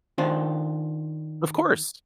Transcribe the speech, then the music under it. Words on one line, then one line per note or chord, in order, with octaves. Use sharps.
Of course.
D#3 D4 F4 C5